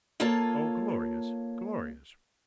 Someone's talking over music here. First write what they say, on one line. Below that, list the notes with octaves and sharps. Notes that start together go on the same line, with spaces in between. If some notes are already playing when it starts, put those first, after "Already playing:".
Oh, glorious, glorious!
A#3 F4 A4 C#5 A5